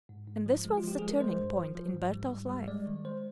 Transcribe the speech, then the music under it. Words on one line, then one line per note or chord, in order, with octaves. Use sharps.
And this was the turning-point in Bertel's life.
G#2
G#2
F3
G#3
F4
F3 G4
G#3 G#4
A#4
G#3 C5
G2
F3
F3
G#2
G3
G#2
G3
G#3 D5
D#3
G#3 C5